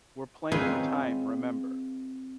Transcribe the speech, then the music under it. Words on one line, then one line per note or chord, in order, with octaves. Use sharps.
We're playing for time, remember.
C4 D#4 F4 G#4 B4 C#5